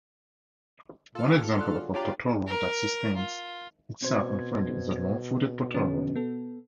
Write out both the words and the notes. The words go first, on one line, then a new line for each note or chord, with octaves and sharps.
One example of a potoroo that sustains itself on fungi is the long-footed potoroo.
A#2 F4 A4 F6
D3 C6 F#6
D3 F#3 G#4
D4 F4 G4 C#5 D5 G5 A#5
A#4
F4
B2 C4 C5 G#6
D3 F3 C#4
B3 A4